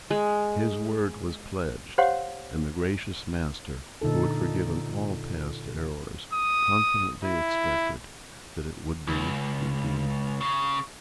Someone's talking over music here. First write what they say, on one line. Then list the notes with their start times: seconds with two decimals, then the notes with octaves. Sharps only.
His word was pledged; and the gracious master who had forgiven all past errors confidently expected that it would be redeemed.
0.10 G#3
1.98 G4 C5 C#5 F5 F#5 C6
4.02 A#2 D3 D#4 A4
6.33 D#6
7.23 E4
9.07 C#2
10.41 C#3